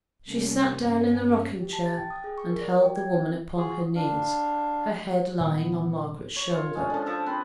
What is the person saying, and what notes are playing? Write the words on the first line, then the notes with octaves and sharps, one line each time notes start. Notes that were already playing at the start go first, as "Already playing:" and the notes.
She sate down in the rocking chair, and held the woman upon her knees, her head lying on Margaret's shoulder.
C3 G3 A3 A#3 C#4
G2 C#4
G4
A5
A6
G5
D#6
G#4
C#6
A#4
D5
G5
G#6
C4
F4 F#4 G#4
D4 F5
A#2 D#3 G3 B3
C#5
F4
G#3 C#4 D4
D3 F3
F3 E5
C4 B4